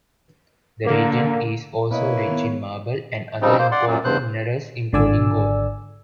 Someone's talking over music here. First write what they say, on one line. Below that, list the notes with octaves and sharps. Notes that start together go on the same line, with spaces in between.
The region is also rich in marble, and other important minerals, including gold.
D3 A#3
B2 A#3 E4 B4 C#5 D#5
D#3 B3
C#3 F3 G3 C4 D#4
A#3 C5
D5 F#5 C6
F#2 A#2 F#3
E2 G2 C5 F#6
G#1 D3 D5 G#5 E6